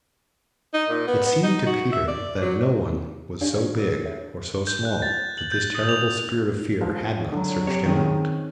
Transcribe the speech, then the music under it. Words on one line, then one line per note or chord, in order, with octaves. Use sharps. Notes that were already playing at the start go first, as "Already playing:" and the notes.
It seemed to Peter that no one was so big or so small that this terrible Spirit of Fear had not searched him out.
D#4
A#2
B3
B3
D#4
F#4
E5
D5
F#3
D4 D#4 G4 C#5 D5 F5
F4 G#4 A#4
C#5 E5
G6
F#6
A6
F#7
G6
D#6
F7
G#2 F3
D3 F#3
C3 G4 C#5
D#3 C4 C#4 G#4